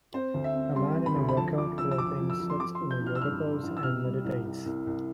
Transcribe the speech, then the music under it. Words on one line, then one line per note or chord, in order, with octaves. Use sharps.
A man in a workout clothing sits in a yoga pose and meditates.
C4 C5
D2
E5
C4
G3 C6
C4
B5
D2
B5
F3 A5
F3 D6
F3 E6
E6
F2 D6
F3
E6
F3
C6
F3 D6
C6
F3
G6
A1 F6
E6
G2 F6
G2
A1
E6
C3 F6
G3
C2
C2
C2
C2